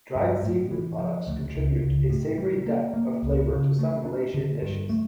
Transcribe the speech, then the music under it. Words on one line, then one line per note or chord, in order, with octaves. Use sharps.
Dried seafood products contribute a savoury depth of flavour to some Malaysian dishes.
G2
A2
E3
F3
D2
C#2
C#2
A2
G3
A#3
A#3
C#2
C#3
A3
D4
D3
G2
A3